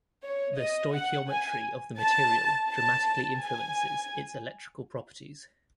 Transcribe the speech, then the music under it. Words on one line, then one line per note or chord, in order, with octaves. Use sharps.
The stoichiometry of the material dramatically influences its electrical properties.
C#5
D#5
F#5
G#5
A5
A5
G#5